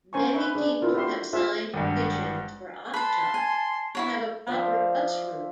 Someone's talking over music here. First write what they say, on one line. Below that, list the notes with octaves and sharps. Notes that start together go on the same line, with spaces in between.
Many people have signed petitions for Oxshott to have a proper bus route.
C#4 C5 G#5 A#5 C#6
B4 E5 C#6
D4 G#4
E4 F4 A#4
F#4 G4 A4 E5 C6
F4 G4 G#4 C5 E5
G#1 G2
B4 A5 B5 C6
G#5
E4 F#4 C#5
F3 D5 E5